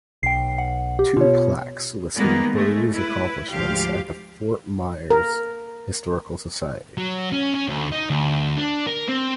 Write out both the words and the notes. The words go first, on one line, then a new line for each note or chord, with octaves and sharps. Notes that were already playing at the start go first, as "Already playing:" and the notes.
Two plaques listing Buerry's accomplishments at the Fort Myers Historical Society.
B1 G5 C7
F#5
G4
B2 F4 C#5
D#3 G3 G#3 A#3 B3
G#3 A3
E4 B4
D2 G#2 F3 G4 F5
A#4
F#3
C#4
C#4
D2
D#4
D2
D4
A#4
C4